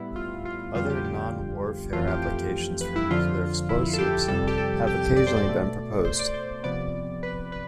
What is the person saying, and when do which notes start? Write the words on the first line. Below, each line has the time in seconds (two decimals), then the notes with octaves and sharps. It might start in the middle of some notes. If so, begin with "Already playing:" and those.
Other, non-warfare, applications for nuclear explosives have occasionally been proposed.
Already playing: A2 G3 B3 E4
0.16 F4
0.45 F4
0.75 F2 D3 G3 B3 F4
0.90 G4
1.04 G4
1.93 F2 E3 A3 F4
2.07 G4
2.22 G4
2.81 B4
2.96 E4
3.11 F2 D3 F3 F4
3.69 E4
3.94 A4
3.98 G4
4.28 F2 C3 G3 A4
4.47 G4
4.58 A4
4.87 G4
5.02 G4
5.16 D5
5.27 C5
5.37 D5
5.46 B2 A3
6.05 C5
6.19 D5
6.34 C5
6.64 C3 F3 B3 D5
7.23 B4
7.52 B4